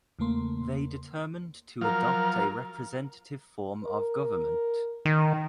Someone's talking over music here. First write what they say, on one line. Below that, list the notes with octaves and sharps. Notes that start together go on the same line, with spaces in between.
They determined to adopt a representative form of government.
E2 C#3 A3 A#3 C6
F3 F#3 A#4 F5
A#4
D#3